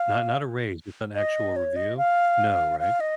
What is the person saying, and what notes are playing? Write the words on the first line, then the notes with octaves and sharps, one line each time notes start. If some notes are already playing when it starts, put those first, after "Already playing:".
Not not a raise. It's an actual review. No, right?
Already playing: F5
D#5
C#5
D#5
F5
F5
D#5